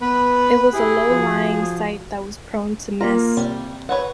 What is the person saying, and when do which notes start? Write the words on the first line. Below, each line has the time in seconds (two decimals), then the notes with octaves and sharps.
It was a low-lying site that was prone to mists.
0.01 B3 B4
0.73 E4 G4 G#4
1.09 F3 F#4
3.01 A#3 F4 A#5
3.37 C3 G3
3.89 B4 C#5 F#5